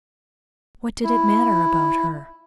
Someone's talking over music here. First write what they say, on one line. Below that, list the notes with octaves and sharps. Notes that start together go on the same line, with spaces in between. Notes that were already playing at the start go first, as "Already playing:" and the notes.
What did it matter about her?
E4